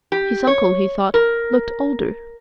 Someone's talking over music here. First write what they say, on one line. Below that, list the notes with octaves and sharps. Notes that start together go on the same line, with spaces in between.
His uncle, he thought, looked older.
G4
C#5
A#4